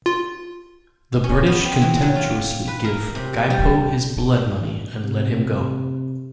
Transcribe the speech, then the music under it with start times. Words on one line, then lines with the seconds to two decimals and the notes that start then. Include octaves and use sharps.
The British contemptuously give Gypo his blood money and let him go.
0.06 F4
1.24 C#4
1.47 B3
1.65 C4
1.82 E3
2.02 F#3
2.15 F4
2.68 B4
2.84 A#4
3.15 C3
3.50 G3
5.04 C3